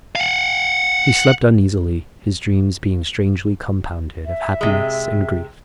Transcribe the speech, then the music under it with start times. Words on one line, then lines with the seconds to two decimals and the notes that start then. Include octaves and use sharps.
He slept uneasily, his dreams being strangely compounded of happiness and grief.
0.15 F5 F#5
4.25 E5
4.61 C3 G#3